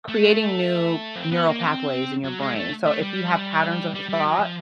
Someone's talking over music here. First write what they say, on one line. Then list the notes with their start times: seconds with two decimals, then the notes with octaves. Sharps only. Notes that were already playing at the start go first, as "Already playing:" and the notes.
creating new neural pathways in your brain, so if you have patterns of thought,
0.08 A3
1.16 C4
1.32 B3
1.47 A#3
1.63 C4
2.24 F#3
2.39 G#3
2.55 A3
2.86 A3
3.01 G3
3.94 G3
4.09 G3
4.24 F#3
4.39 F3